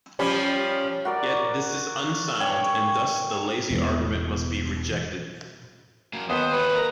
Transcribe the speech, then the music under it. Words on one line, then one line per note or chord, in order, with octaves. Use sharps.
Yet this is unsound and thus the lazy argument must be rejected.
F3 G3 C#4
F#4 A#4 D5
C#5 G5 G#5
E1 B3
F#3 A#3
D#2 B3 C5 D#6
G3 B4 C#5
A#4 A#5